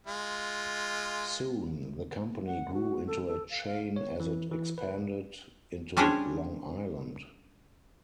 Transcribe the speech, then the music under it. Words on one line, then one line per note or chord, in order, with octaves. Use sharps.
Soon, the company grew into a chain as it expanded into Long Island.
G#3 F4
F#5
F#4
A4
A4
F5
F5
C#5
E3
E3
B4
G3 C#4 D4 G#4 C5 C#5